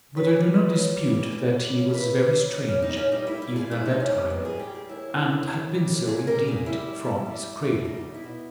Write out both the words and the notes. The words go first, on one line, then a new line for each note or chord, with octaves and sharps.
But I do not dispute that he was very strange even at that time, and had been so indeed from his cradle.
C#3 B4
G3
E2
C#3
G3
E3
C#3
G3
C#3
E3 B4
G3
C#3
G3 D#4
G3 C#4
D#4
A#2 C#4
G3 D#4
G3 E4
E4
A#2 G#4
G#2 E4
G#2 D#4
C#4
G3
C#4
G#2 B3
G#4
G3
G4
G3
G#4
D#2 E4
G3
D#2
D#2
G3
D#2
A#2 G#4
G3 A#4
A#2 G#4
G3 E4
G3
G3
G3
G3
B2
G3 D#4
B2
E4
B2